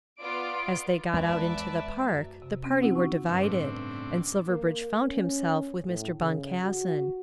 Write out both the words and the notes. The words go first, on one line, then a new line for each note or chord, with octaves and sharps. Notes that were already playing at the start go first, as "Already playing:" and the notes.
As they got out into the park the party were divided, and Silverbridge found himself with Mr. Boncassen.
B3 F4 D5 D7
E2 G#3 B3 B4 D5 E5 A5
F#2
C3
C4 C#4
D#4 E4 F#4 F#5
C#6
G2 C#3 E5
A2 C4 D4
A#3
C#4
A2
C#3
F#4